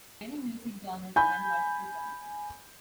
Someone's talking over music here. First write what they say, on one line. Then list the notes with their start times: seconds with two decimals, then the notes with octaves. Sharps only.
Many music genres span multiple tribes.
1.16 G#5 B5 G6